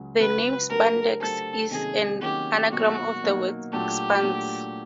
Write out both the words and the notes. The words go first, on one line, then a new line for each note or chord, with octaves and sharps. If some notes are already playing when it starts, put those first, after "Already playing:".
The name "spandex" is an anagram of the word "expands".
Already playing: C#2 C#3 F#3
C#2 C#3 F#3 B4
F#3 A3 D4 G4 A#4 C5
F#3 A3 D4 G4 A4 C5
C3 D#3 F#3 A#3 C#4 G#4
C3 D#3 F#3 A#3 C#4 G4
B2 F#3 A#3 D#4 F#4
B2 F#3 A#3 D#4
A#2 F#3 A3 D4 G4
A#2 F#3 A3 D4